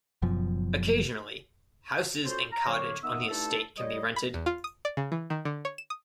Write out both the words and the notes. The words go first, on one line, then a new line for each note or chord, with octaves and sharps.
Occasionally, houses and cottage on the estate can be rented.
F#1 F#2 B2 F3
C#4 F4 F#4 A4 C5
A#5
C2 A2 D3 F#3 A#3 C#5
D#3 B3 A#4 E5 D#6 E6
G2 A3 D#4 E4 A4
G3 C#5 D#5
B5
E2
F4
D#6
D5
C#3
E3
D#3
D3
C#5
E7
D#6